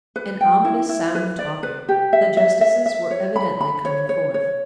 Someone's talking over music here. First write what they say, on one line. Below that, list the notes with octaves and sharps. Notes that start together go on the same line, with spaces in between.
An ominous sound of talking; the justices were evidently coming forth.
B4
G5
E4
E4
B4
D5
B4
G4
E5
E5
E5
E5
C#5
B5
B5
C#5
C#5
C#5